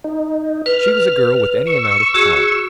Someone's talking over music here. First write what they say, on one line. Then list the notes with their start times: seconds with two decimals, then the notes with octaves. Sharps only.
She was a girl with any amount of talent.
0.04 D#4
0.66 B4 F6
1.67 C#6 E6
2.14 F#4 G#4